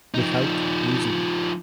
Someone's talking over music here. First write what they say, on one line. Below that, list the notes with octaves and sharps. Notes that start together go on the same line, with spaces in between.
Without reason.
F3 D#4